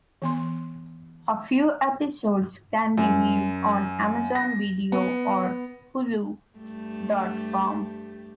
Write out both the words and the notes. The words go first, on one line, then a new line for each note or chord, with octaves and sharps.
A few episodes can be viewed on Amazon Video or hulu dot com.
E3 B3 C6
F#2
A#6
B3
G2 A3 G4